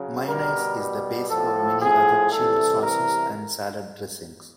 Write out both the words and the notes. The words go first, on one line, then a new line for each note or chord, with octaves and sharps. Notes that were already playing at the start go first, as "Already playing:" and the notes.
Mayonnaise is the base for many other chilled sauces and salad dressings.
Already playing: C#3 F#3
B2 G3 A#4
A2 F3 A4
G#4
C3 E3 G3 A4
A#4